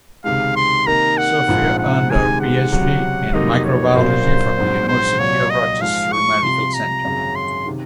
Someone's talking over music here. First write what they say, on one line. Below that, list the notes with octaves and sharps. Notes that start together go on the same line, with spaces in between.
Sofia earned her PhD in microbiology from the University of Rochester Medical Center.
C#2 C3 D#3 G#3 F5
C6
C3 D#3 A#3 D#4 A#4 A#5
F#5
A#1 G#2 F3 C4 F4
F#5
C3 D#3 G#3 G#5
F#5
C#2 C3 F#3
F2 C3 F#3 A#3 D#4 D#5
C#5
A#1 A#2 F#3 A#3 C5
A#1 G#2 F#3 C4
C5
C2 A#2 F#3 C#5
D#5
G#2 F3 G#3 F5
C#6
C2 C3 F3 C6
A#5
G#1 F#2 C#3 F#3
C6
C3 D#3